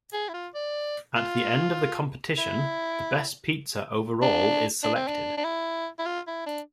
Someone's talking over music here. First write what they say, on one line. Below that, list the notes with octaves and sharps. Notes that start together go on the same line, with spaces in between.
At the end of the competition, the best pizza overall is selected.
G#4
E4
F4
D5
F4
E4
D4
D4
C4
D4
D4
E4
E4
F4
E4
D4